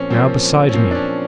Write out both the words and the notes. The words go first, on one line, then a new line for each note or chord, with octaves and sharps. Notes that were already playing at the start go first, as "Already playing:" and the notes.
Now beside me!
Already playing: A#2 F3 C4 C#4
A#2 F3 C4
C#4
A#2 F3 C4
D4
C#4